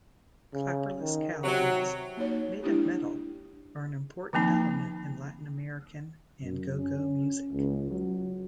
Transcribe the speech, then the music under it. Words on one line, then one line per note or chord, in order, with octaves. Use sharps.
"Clapperless cowbells" made of metal are an important element in Latin-American and go-go music.
C#3
D#3
C3 F#3
A#3 D#4 C#5
G#3 D4 E4 G4
D#3 F3 A#3 C4 D#4
F#2
C#4
C#2
F#3